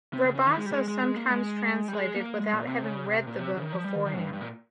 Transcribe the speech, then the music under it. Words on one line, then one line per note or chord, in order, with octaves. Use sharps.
Rabassa sometimes translated without having read the book beforehand.
C3
C#3
C#3
D#3
G#3
G3
G#3
G#3
G#3
A#3
G#3
G3
G#3
A#3
G#3
A#2
C3
C#3
C3
A#2
C3
C#3
D#3
F3
G3
D#3
D#3
G2
G2
A#2